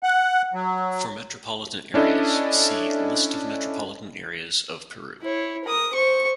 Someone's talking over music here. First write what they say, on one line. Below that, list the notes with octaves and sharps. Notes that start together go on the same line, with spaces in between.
For metropolitan areas see List of metropolitan areas of Peru.
F#5
F#3
C#4 D4 E4 A4 D#5
E4 C#5
A#4 D#6
C5 C#6